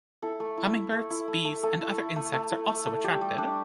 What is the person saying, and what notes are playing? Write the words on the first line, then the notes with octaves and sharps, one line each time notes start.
Hummingbirds, bees and other insects are also attracted.
E4 A4
A3
E4
E4
A3
E4
A3
A3
A3 A4
E4
E4
A3
A3
E4
A3
A3
G3 G4
G3
D4